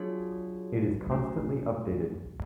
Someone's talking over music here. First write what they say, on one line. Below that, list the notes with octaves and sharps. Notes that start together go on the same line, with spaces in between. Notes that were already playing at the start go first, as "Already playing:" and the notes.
It is constantly updated.
Already playing: F#3 D4 F4 G#4 C#5
G3 A3 C#4 F#4